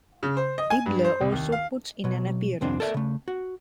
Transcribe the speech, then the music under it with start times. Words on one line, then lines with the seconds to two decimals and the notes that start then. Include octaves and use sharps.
Dibbler also puts in an appearance.
0.23 C#3
0.37 C5
0.58 D#5
0.70 G#5
0.86 G2
1.05 C5
1.21 C2
1.32 D#2
1.52 F5
2.04 B2 F#3
2.61 C2 F2 C4 D4
2.80 A4 A#4 D5 E5
2.94 C#3 A3
3.28 F#4